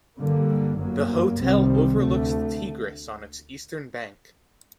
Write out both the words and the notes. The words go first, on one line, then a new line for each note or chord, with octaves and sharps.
The hotel overlooks the Tigris on its eastern bank.
G2 D3 G3 A#3
G1 F#2 F#3 A#3
C2 C3 D#3 G3 C4
D2 D3 A3